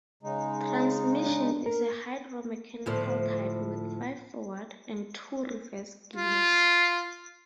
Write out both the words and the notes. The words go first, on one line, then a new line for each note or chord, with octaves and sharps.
Transmission is a hydromechanical type with five forward and two reverse gears.
C#3 G#3 D#4
D4
A#4
D2 A2 F3
F4